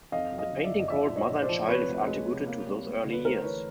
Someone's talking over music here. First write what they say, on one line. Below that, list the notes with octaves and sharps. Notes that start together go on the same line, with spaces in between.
The painting called "Mother and Child" is attributed to those early years.
F2 D#5 F5
F#3
D#5 F5
D3
D5 E5
F#1
D#5
F3 D5 E5
A#1
C#5 D#5
A#1
C5 D5
F3
C3 B4 C#5
D2
G#3
C3
A#3
G3
A#3
D3
B4
A3 A#4 C5
E3 B4 C#5